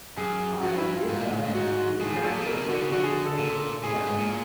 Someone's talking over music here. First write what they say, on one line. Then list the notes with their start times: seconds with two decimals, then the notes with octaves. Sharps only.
On his discharge, he returned to racing in a major way.
0.17 F#2 G#4
0.63 G2 F#4
0.78 E4
0.93 F4
1.09 G#2
1.20 A#2
1.31 A2
1.44 G#2
1.55 G#2 F#4
2.00 A2 G#4
2.14 G#4
2.23 A#2 A4
2.41 C3
2.46 B2 A#4
2.57 C3
2.69 D3 F#4
2.81 C#3
2.92 D3 F#4
3.04 G#4
3.26 A4
3.39 A#2
3.83 A2 G#4
3.95 G2
4.06 G#2
4.19 A#2